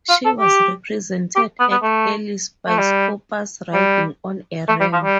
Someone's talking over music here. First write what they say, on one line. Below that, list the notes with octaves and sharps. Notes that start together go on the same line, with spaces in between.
She was represented at Elis by Scopas riding on a ram.
F4
A4
G4
G4
B3
B3
A3
A3
G3
G3
A3
G3
F3
G3